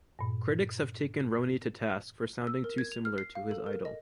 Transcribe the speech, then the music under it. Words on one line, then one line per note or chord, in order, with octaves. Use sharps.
Critics have taken Roney to task for sounding too similar to his idol.
G2 A#2
E6
A#4
G#6
F7
F6
C7
F5
A4
A#4
D#5